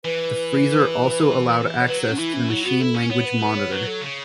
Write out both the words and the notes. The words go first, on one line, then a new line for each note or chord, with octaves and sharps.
The freezer also allowed access to the machine-language monitor.
E3 B4
C#5
F#3 B4
A4
C#4
E3 E4
C#4
F#3 E4
B3 F#4
E4 A4
C#4
B3 C#5
B4
B4
C#5
F#3 B4
A4
C#3